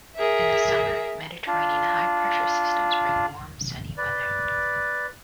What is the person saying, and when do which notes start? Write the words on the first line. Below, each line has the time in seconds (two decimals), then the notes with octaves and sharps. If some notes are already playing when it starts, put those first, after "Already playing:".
In the summer, Mediterranean high-pressure systems bring warm, sunny weather.
0.16 G#4 A#4 E5
1.47 D4 F4
3.97 B4 D5